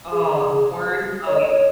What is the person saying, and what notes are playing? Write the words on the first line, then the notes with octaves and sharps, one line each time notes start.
oh, corn? Oh
G#4
G#4
C#5
D#5
C#5